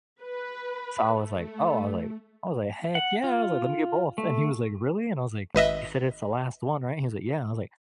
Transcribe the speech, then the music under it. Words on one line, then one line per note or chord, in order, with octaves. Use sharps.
so I was like, "Oh," I was like I was like, "heck, yeah!" I was like, "Lemme get both," and he was like, "Really?" And I was like, "You said it's the last one, right?" He was like, "Yeah," and I was like,
B4
A3
F#5
F4
A3
G#1 B4 D#5 E5